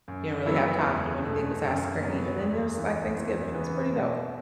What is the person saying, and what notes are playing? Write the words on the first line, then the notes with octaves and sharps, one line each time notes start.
you don't really have time to do anything besides scream, and then there's like Thanksgiving, it's pretty dope.
F#2
F#3 B3 E4
E2
B2 A3
F#2
F#3 B3
E2
E3 B3
E2
C#3 E3 B3
B2